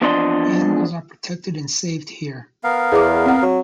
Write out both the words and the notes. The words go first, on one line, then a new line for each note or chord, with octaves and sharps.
Animals are "protected and saved" here.
E2 F3 C4 D4 D#5 C6
B3 A#4 F5
E2 G#4 D6
C4 F#5
F#3